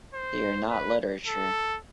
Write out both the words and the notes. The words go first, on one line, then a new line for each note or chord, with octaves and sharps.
They are not literature.
C5
B4
A4